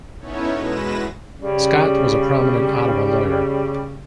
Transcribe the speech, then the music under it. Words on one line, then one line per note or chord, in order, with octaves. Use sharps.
Scott was a prominent Ottawa lawyer.
B3 C#4 D#4 E4 A4 C#5
E2 B2 G#3 B4 A#6 E7
C#3 G3